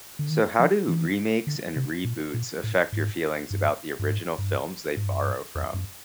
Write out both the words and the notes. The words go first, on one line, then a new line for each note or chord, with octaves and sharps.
So how do remakes and reboots affect your feelings about the original films they borrow from?
D3
D#3
F3
E3
D3
C3
A#2
A#2
A2
G#2
G2
G2
G#2
G2
G#2
G2
F#2
G2
E2
F#2